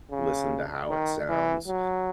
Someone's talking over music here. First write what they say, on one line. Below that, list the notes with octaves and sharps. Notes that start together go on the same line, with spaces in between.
listen to how it sounds.
C#3
D#3
E3
F#3